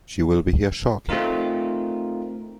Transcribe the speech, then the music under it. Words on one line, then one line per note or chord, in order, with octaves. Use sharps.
She will be here shortly.
A3 C4 D#4 F4 A#4